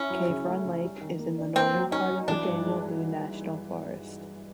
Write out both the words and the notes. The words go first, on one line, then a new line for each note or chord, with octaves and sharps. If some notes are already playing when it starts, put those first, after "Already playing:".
Cave Run Lake is in the northern part of the Daniel Boone National Forest.
Already playing: C#4 E4
F#3
C#3
A3
C#3
G3
D#3
A#3
D4
A#3 C4
F#3
C#4 D#4
F#3
E3 D4
G2
G#3